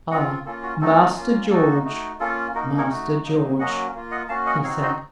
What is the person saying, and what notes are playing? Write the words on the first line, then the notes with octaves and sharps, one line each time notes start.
"Ah, Master George, Master George!" he said.
C4 F4 D#5 F#5
A4
A#3 C#4 F4 A4
F#4
A3 C4 D#4 F#4 A4
A#3 C#4 F4
A#3 D#4 F#4 A4
A3 D#4 F#4
A#3 C#4 F4 A4
A#3 D#4 F#4 A#4
A#4 C#5
A3 D#4 F#4
F#3 A#3 D#4
F#3 A#3 C#4 F#4 D#5 F#5
A#3 F4
D#5 F#5
A#3 C#4 F#4 F5 A5
D#5 F#5
C4 D#4 F#4 C#5 F5
C5 D#5